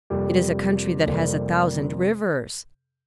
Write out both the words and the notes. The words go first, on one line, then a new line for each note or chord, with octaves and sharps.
It is a country that has a thousand rivers.
F2 C3 G3 A#3 G4
F2 C3 G3 A#3